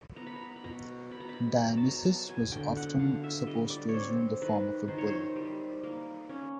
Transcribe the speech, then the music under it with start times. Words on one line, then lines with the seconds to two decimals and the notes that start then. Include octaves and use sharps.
Dionysus was often supposed to assume the form of a bull.
0.16 B3 A#5
0.27 B5
0.36 A#5
0.56 B5
0.64 B2 A#5
1.11 B2 B5
1.20 A#5
1.29 B5
1.58 F#3 B5
1.68 A#5
1.77 A5
1.88 A#5
2.05 B3 A5
2.29 G#5
2.52 D3 G5
2.77 F#5
2.99 D3 F5
3.24 E5
3.47 G3 D#5
3.70 D5
3.89 C#5
3.94 C4 C5
4.42 D#3 B4
4.88 D#3 C5
4.98 C#5
5.07 C5
5.36 G3
5.83 A#3
6.29 C#4